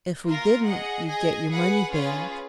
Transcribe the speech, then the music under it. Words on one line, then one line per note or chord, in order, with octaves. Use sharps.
"If we didn't you'd get your money back."
A#3 F4 A#4
G#4 D#5 F#5
G#4 D#5 G#5
G#4 B4 F#5
C#4 F4 G#4 B4